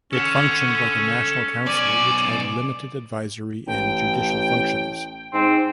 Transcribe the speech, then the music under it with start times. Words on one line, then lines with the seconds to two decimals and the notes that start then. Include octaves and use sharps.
It functioned like a national council which had limited advisory and judicial functions.
0.13 C#4 A4 F#5
1.66 B1 D5 G#5
3.67 A1 G5
5.33 G#2 C4